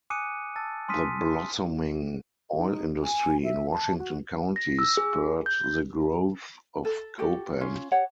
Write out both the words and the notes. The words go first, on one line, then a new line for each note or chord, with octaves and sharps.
The blossoming oil industry in Washington County spurred the growth of Copan.
G#5 D6 D#6 F#6 C#7 D#7
A5 D6 E6 A6
G#5 C6 D#6 F6 B6 D#7
D#4
G#5
E5
A5
F#4
A#6
E6
G#4
G6
A4
F#4 G4 A4
C#4 F4
G4 C#5 F#5